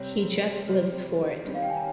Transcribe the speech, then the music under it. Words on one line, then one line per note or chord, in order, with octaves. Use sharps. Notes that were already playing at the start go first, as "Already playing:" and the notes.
He just lives for it.
Already playing: C3 G3 C4 C#5
C3 G3 C4 C5
D#3 G3 C#4 G4 C#5
F5
G5
G#5
A#5